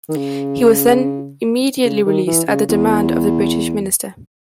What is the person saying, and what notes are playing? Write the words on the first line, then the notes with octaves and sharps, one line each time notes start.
He was then immediately released at the demand of the British minister.
D#3
C#3
C#3
D#3
E3
C#3
E2